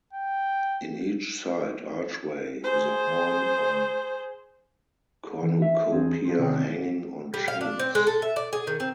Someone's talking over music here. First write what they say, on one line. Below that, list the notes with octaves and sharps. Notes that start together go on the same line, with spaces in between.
In each side archway is a horn or cornucopia hanging on chains.
G5
G#4 C5
E3
E5
E2 C4 G#4
F3 C4 F4
C3 D#3 C4 C#4 G5
G3
F5
D4
C4
G#3
A4
E5
D5
G#4
D#3
C4